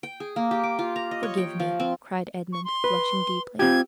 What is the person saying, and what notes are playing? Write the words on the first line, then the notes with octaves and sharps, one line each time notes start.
"Forgive me!" cried Edmond, blushing deeply.
G5
G#4
A#3
G4
D6
F4
A#5
D#5
C#5
G5
F3
C4
C#6
C6
B4
C4 F4 G4 G#6